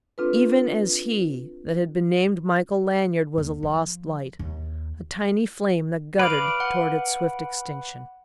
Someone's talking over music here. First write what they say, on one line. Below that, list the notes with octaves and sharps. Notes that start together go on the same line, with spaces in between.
Even as he that had been named Michael Lanyard was a lost light, a tiny flame that guttered toward its swift extinction....
C4 D4 F4 A4 B4
D#2
F3
D#2
B4 D5 F5 D7
F#5